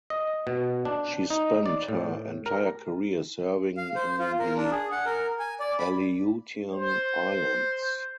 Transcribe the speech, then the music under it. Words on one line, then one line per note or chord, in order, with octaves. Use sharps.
She spent her entire career serving in the Aleutian Islands.
D#5
B2
D4
D#4
D5
A2
A#4
F5
C5
F4
A#4
D4
G#4
F#5
A#4
G#5
D5
B5
C5